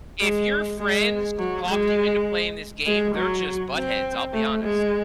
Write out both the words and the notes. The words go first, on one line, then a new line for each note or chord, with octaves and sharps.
If your friends talk you into playing this game, they're just buttheads. I'll be honest.
G#3
G#3
F#3
G#3
G#3
F#3
C4
A3
G#3